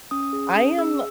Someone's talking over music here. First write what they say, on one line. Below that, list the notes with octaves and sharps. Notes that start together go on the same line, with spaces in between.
I am
C#4 D#6
G#4
C#4
G#4 E6